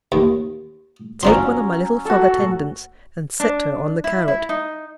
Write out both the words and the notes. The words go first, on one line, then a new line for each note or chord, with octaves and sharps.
"Take one of my little frog attendants and set her on the carrot."
D#2
F3 F#3 C#4 D4 A#5 C6
F#4 A4
D4
E4
E4
D#4